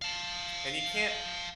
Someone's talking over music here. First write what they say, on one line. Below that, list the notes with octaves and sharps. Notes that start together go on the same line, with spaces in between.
And you can't
F5 A5